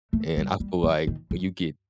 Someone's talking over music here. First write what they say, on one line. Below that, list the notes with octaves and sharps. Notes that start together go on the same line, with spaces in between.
and I feel like you get
A3
G3
G3
F#3
D#3
F#2